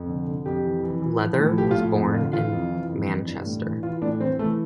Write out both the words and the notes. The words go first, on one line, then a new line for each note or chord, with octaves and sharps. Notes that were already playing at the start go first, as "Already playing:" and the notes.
Leather was born in Manchester.
Already playing: F2
D3
D3
F2 G4
E3
E3
E3
F3
A2
F3 G4
F4
A2
F2
D3 F4
E3 F4
F2
E3
F2
E3
G2
A2
E3
E3 F4
A2 D4
E3 C4
E3 A3